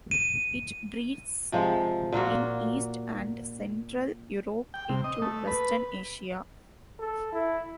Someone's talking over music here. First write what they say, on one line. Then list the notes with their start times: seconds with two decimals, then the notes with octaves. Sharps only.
It breeds in east and central Europe into western Asia.
0.11 D#7
1.52 C3 F3 G#3
2.12 A#2 A#3 F4 F#4
4.74 G5
4.89 C3
5.04 D#5
5.22 A3
5.47 B4
6.99 A4
7.32 E4